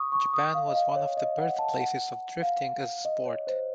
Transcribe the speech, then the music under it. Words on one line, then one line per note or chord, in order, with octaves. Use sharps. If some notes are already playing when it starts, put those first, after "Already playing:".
Japan was one of the birthplaces of drifting as a sport.
Already playing: C#6 D#6
C#6
D#6
F5
D#5
F5
C#5
D#5
F#5
A5
F#5
F5
D#5
C#5
C5